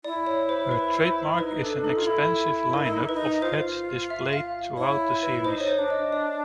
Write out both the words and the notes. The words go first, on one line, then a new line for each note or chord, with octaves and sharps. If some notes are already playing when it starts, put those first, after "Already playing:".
Her trademark is an expansive lineup of hats displayed throughout the series.
E4 D5
C#5
C5
B4
C5
D#4 B4
D4 A4
D#4 A4
F4
E4 A4
D#4 A#4
E4
D#4
E4
B4
D#4
F4 C5
E5
F5
E4 C#5
B4
D#4 C5
C#5
C5
D4
D#5
D5